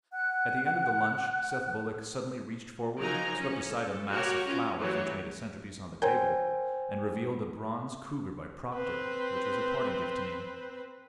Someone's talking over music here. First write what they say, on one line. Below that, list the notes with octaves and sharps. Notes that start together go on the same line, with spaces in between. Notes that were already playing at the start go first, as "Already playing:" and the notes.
At the end of the lunch Seth Bullock suddenly reached forward, swept aside a mass of flowers which made a centerpiece on the table, and revealed a bronze cougar by Proctor, which was a parting gift to me.
F#5 F#6
F3 F#3 D#4 A#4 G#5 A#5
C#4
A4
F#4 G4 A#4 C#5
C#4 F4
E3 F#3 A3 G4 C#5
A#4 C5 C#5 G5 G#5 A#5
C4 B4